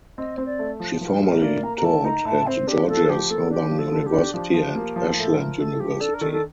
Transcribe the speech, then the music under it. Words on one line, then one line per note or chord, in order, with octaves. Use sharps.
She formerly taught at Georgia Southern University and Ashland University.
C4 D#5
C4 C5
D5
A3
F3
F3 A#4
A2 A#4
A#3 D5
A#3 A#5
A#5
A3 A5
D#4 A#5
A2 A5
C4 C5
D4 G4
F3 A4
F3 G4
A#3 A4
D4 G4
F3
A4
D3
G4
D4
F3 G4
F3 G4
A#3
F3
A2 A4
F3 A#4
A3 A4
F3 G4
D4 A4
A#4
D#3 A4
A4